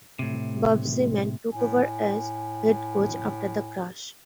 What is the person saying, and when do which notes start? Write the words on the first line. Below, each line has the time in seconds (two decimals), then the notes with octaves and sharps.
Bob Seaman took over as head coach after the crash.
0.19 A2 C3
1.52 A2 G#5